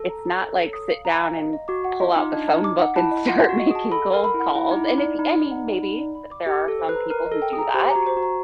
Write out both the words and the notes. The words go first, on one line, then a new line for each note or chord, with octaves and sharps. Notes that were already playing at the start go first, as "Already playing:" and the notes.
it's not, like, sit down and f pull out the phone book and start making cold calls." And if I mean, maybe there are some people who do that,
Already playing: A4
A#5
A#5
C#5
C#5
D#6
F5
A#5
F5
D#5
D#5
F#4 D6
F#5
F4 D#5
D#4 D6
D4 D#5
D#4 D#5
D6
F#5
E4 A5
D#5
F4 F#5
F#5
F#4
D#5
G#4 A5
A4 B5
F#5
A#4
B5
E4
F#5
E4 F#5
D#4 D6
E4
D6
D#4
D5
D#4 B5
B5
F#5
D5
B5
D5
B5
D6
G4 D#5
D#5
A4
C5
B4
A#5
A#4 A#5
D#5
A4
G5
G#4
A#5
G4 C5
A#5
F#4
C5
F#4
A#5